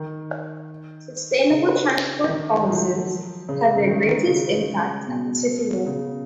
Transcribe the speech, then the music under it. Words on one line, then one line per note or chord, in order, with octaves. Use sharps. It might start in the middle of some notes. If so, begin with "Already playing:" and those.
Sustainable transport policies have their greatest impact at the city level.
Already playing: D#3
C#3
D#3
F#3
F3
C#3
C#3
D#3
D#3
C#3
B2
C#3